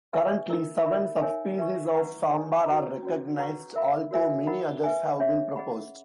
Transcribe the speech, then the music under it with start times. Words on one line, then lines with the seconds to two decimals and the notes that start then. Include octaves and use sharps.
Currently, seven subspecies of sambar are recognised, although many others have been proposed.
0.13 G#4 B4 E5 G#5 C#6
0.49 E4 A#4 D#5
0.86 D#4 A#4 E5 B5
1.22 D#4 A#4 C#5 E5 G#5
1.58 B4 E5 G#5 C#6
1.95 B4 F#5 A#5 C#6
2.30 G#4 C#5 G#5
2.66 F#4 B4 F#5 A#5
3.03 C#4 F#4 C#5
3.39 B4 F#5 A#5 C#6
3.75 A#4 E5 B5
4.11 F#4 A#4 C#5 E5 G#5
4.47 E4 A#4 D#5 F#5 B5
4.84 B4 E5 G#5
5.19 C#4 G#4 C#5 E5
5.56 G#4 D#5 F#5 B5